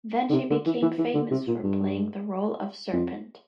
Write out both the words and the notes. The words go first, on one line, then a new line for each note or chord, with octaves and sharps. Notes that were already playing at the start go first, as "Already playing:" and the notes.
Then she became famous for playing the role of serpent.
D3
C3
D3
E3
E3
E3
D3
C3
A#2
G2
F2